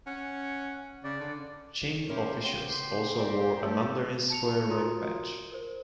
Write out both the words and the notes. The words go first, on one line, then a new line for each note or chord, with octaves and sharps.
Qing officials also wore a mandarin square rank badge.
C#4 F#5
C#3 D5
D3
C#4 E4 G4 A#4 C6
C#3 B3 F5
C4 E4 D5
A3 G4 A4
A5 C#7 F7
F4 F#4 A#4 A#5 C6 D#6
A#4 C5